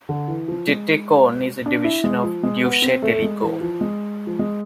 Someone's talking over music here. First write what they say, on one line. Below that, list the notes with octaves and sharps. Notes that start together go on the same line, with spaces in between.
Detecon is a division of Deutsche Telekom.
D3
E3
F3
G#3
D4
E4
G#3
F3
G#3
B3
C4
A3
G#3
E3
F3
G#3
F3
G#3